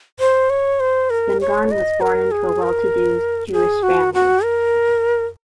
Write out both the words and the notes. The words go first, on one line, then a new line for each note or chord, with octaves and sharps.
Spingarn was born into a well-to-do Jewish family.
C5
C#5
C5
A#4
C#5
D#5
A#4
G#4
A#4
G#4
F#4
F#4
A#4